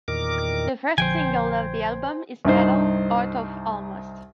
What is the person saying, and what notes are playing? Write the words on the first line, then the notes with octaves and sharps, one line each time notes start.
The first single of the album is titled "Art of Almost".
E2 A#2 D#3 A#4 D6
A#1 D3 F3 C5 G5 G#5
C2 G2 D#4 C5